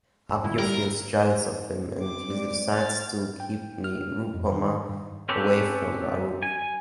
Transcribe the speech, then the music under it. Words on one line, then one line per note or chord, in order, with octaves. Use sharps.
Abir feels jealous of him and he decides to keep Nirupoma away from Arup.
G1 E4
G3 A#4
C4 D6
G#2 D5
F6 A6
G5
F6
F2
D#3
G2
C4 C#4 G4 A4 B4
G#5